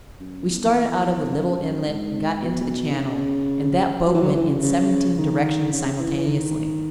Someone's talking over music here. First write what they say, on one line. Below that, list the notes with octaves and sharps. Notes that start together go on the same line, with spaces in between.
We started out of the little inlet and got into the Channel, and that boat went in seventeen directions simultaneously.
F#2
E2
E2
F#2
F#2
G#2
B2
D#3
C#3
F#3
E3
F#3
E3
C#3
C#3
D#3
C#3
E3
E3
D#3